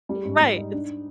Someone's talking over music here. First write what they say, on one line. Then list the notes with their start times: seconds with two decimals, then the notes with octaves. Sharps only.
Right, it's
0.09 G3
0.25 G#2
0.41 G3
0.57 D#4
0.72 D4